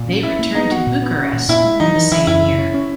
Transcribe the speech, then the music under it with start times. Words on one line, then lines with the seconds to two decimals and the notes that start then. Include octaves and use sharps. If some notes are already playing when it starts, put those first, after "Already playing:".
They returned to Bucharest in the same year.
Already playing: A#2
0.08 C#4
0.23 C#4 E4
0.39 A#3
0.55 B3 D#4
0.71 B3 F#4
0.87 A#2
1.02 B3
1.17 C#4
1.33 A#2
1.49 A#2 E4
1.64 G#3
1.80 E3 D#4
1.96 E3
2.12 E3 E4
2.27 F#2 E4
2.42 C#3
2.58 C#4
2.74 C#4